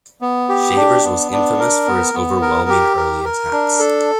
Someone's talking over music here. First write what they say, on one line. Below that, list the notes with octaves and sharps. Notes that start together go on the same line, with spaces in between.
Shavers was infamous for his overwhelming early attacks.
B3
G4
D4
B3
D4
A#4
B3
B3
A#4
G4
A#4
A#4
D4
A4